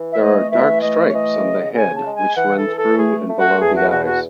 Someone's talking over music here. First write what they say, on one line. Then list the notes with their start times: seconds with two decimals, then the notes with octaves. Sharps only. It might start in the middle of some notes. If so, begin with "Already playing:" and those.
There are dark stripes on the head which run through and below the eyes.
Already playing: E3
0.12 E5
0.20 A3 D#5
0.51 E3 E5
0.81 A3 D#5
1.08 C#5
1.12 E3 D#5
1.44 C#3
1.74 C#3 G#5
1.95 A5
2.05 G#3
2.16 G#5
2.36 E3 F#5
2.57 A4
2.66 E3
2.77 A4
2.98 A3 G#4
3.29 A3
3.38 F#4
3.60 E2 G#4
3.75 F#4
3.90 B2 F#4
4.05 F#4